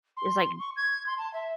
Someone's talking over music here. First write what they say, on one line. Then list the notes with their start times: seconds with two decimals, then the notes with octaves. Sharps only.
it's like
0.17 C6
0.59 C#6
0.76 G#6
1.06 C6
1.18 A5
1.34 E5